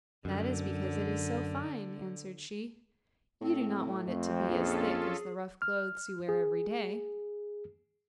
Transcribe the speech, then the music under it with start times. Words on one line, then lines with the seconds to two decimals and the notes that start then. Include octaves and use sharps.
'That is because it is so fine,' answered she; 'you do not want it to be as thick as the rough clothes you wear every day.'
0.25 F#2 D3
3.41 A2 C4
4.07 F2 A3 C4
4.49 A#1 C#4 F4 G#4 A4
5.62 F6
6.29 G#4